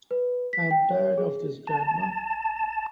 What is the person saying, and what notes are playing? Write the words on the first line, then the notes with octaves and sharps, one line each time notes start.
I'm tired of this, grandma!
B4
B6
G5
C#5
G#4
A5